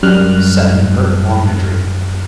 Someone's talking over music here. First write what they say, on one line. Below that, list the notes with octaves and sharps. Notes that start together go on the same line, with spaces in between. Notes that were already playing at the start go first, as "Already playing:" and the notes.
Seton hurt Longniddry.
F#2 G3 F6 F#6